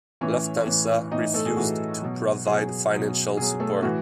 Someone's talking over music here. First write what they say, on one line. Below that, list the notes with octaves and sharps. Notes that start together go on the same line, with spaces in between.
Lufthansa refused to provide financial support.
A2 E3 C#4 C#5
A2 E3
A2 E3 D#4 D#5
A3 A4
G#4
A2 E3 F#4
B2 F#3
B2 F#3 G#4
B2 F#3
B2 F#3 G#4
A3 A4
A2 E3 F#4